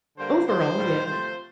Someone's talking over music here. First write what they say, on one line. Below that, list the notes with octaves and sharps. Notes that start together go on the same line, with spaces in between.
overall, yeah,
D3 G3 A#3 C5
D3 A3 C5
A2 G3 A#3
C3 F3 A3 C5